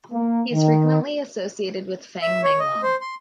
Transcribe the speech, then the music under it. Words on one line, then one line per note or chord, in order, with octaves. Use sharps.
He is frequently associated with Feng Menglong.
A#3
D#3
E5
C#5
D#5
C5
C6